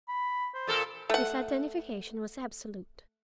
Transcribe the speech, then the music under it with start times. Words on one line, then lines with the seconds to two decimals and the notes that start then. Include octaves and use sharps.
His identification was absolute.
0.08 B5
0.54 C5
0.67 A#2 A4 A#4
1.10 A3 F#5